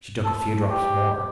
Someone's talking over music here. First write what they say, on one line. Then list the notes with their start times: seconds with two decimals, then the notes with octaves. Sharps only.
She took a few drops more.
0.25 A4
0.70 G4